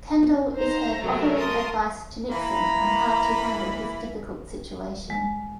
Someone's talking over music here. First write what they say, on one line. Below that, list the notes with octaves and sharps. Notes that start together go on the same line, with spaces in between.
Kendall is heard offering advice to Nixon on how to handle his difficult situation.
C4
D#4 C5 A#5
C3 F#3 A3 A4 A#4
A5 C6 D#6
E3 A#3 A#5 B5
G#3